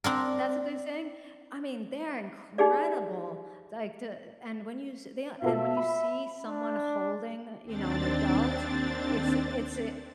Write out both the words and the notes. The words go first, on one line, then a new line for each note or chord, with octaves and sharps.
that's what they're saying? I mean, they're incredible, like to a and when you se the yeah, and when you see someone holding, you know, an adult, it's i it's i
C4 D4 A#4
D#4 G4 G#4 D5
B2 F4 A4 E5
B5
D4
D#2 C4 D4 A6